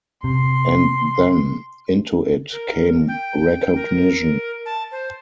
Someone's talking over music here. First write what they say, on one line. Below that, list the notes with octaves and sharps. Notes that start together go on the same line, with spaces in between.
And then into it came recognition.
C3 C6
A#4
G5
A#4
A5
C5